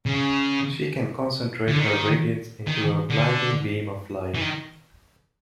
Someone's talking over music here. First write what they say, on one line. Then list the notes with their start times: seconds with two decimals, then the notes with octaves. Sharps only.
She can concentrate her radiance into a blinding beam of light.
0.06 C#3
1.68 D3
1.79 D#3
2.67 D#3
3.10 D3
4.35 E3
4.41 D#3